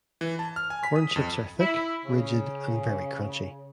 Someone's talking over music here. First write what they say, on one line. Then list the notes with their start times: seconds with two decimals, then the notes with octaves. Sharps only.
Corn chips are thick, rigid and very crunchy.
0.21 E3
0.39 A5
0.56 F6
0.70 G#5
0.84 B6
0.96 D#6
1.16 F2
1.59 E4
2.05 C#3